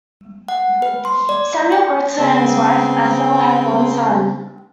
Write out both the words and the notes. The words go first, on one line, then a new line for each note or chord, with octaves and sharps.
Samuel Greitzer and his wife Ethel had one son.
F#5
B4
C6
D5
G5
C#3 B3 C4